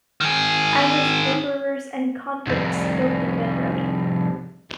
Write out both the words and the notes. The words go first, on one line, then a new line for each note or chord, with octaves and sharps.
Irish laborers and convicts built the railroad.
D#3 G#4
C2 F2